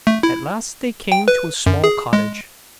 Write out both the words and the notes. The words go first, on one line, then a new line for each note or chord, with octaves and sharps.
At last they came to a small cottage.
A3
E4
G5
B4
F#2
G#4
G#3